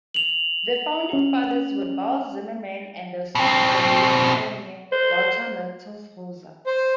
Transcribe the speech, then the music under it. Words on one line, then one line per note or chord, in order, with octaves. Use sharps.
The founding fathers were Balz Zimmermann and the Swiss aviation pioneer Walter Mittelholzer.
F7 F#7
C#4
B2 C4
C5
C5